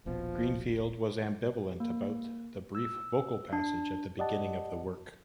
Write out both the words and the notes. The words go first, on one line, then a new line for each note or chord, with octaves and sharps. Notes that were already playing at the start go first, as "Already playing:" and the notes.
Greenfield was ambivalent about the brief vocal passage at the beginning of the work.
D#1 A#1 B2 F3
A#3
E6
D4
G4 D5 D#5 F#5 A5